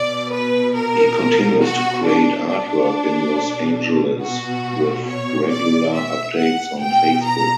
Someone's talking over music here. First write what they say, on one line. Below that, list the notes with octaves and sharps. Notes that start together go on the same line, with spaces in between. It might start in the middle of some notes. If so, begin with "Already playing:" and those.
He continues to create artwork in Los Angeles with regular updates on Facebook.
Already playing: B2 D5
B4
A#4
F#4
D4
D4
B2
F#4
C#5
D5
E5
F#5
B2 G5
A#5